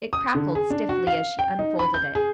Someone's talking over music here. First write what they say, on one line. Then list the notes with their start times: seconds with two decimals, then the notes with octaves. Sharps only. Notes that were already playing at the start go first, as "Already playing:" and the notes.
It crackled stiffly as she unfolded it.
0.13 D#6
0.35 D3
0.55 G#4
0.70 D4
0.89 F#4
1.07 F5
1.39 G5
1.59 D#4
1.79 B5
1.94 G6
2.15 G#4